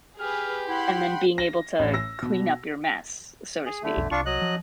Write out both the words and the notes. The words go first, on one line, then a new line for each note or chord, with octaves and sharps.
And then being able to clean up your mess, so to speak.
G4 G#4 B4 F6
E4 F#5 G5 B5 C6
A#6
A1
E6 A#6
B2
G#4
D3 A3
B1 F2
C2 D4 F4 C#6
F#3 D#5 F#6
F3